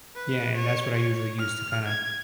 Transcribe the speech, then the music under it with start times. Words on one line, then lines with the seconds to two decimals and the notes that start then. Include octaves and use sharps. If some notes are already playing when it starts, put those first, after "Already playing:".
yeah, and that's what I usually use to kinda,
0.16 B4
0.56 C#5
0.96 C#5
1.39 F6
1.88 G#6